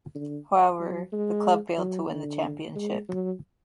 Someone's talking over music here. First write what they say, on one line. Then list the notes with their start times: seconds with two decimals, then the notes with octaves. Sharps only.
However, the club failed to win the championship.
0.15 D3
0.80 F#3
1.12 G#3
1.78 F#3
2.10 D3
2.75 G#3
3.09 F#3